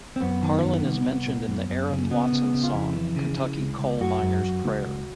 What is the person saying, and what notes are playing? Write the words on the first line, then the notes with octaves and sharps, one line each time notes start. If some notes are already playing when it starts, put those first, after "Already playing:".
Harlan is mentioned in the Aaron Watson song "Kentucky Coal Miner's Prayer".
C4
F#2 B3
D#3
F#2
C2
C2
A#2
F#2
F#2
C#3
C#3 B3
C#3
C#3
F4
F2 E4
E3
C#3
C#3
C#2
C#2
F#2 F#4
F#2
F#2
C#2
C#2